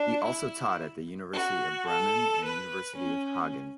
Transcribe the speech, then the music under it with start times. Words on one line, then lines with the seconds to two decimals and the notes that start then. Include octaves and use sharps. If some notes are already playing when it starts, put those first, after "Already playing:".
He also taught at the University of Bremen and University of Hagen.
Already playing: D4
0.22 E4
1.32 F#4
1.87 A4
2.42 B4
2.97 C#4